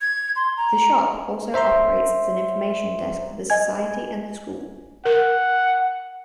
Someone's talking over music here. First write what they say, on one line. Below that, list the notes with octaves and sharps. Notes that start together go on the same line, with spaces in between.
The shop also operates as an information desk for the Society and the School.
G#6
C6
A#5
C5 E5 A#5 C6
D#5 G#5 G#6
A#4 F#5